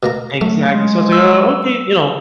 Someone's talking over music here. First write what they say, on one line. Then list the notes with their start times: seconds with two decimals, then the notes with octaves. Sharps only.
Exactly. So I was like, "Oh, okay," you know,
0.03 B2 A#3 A#5
0.41 F#3 A3
0.68 G#3
1.12 E6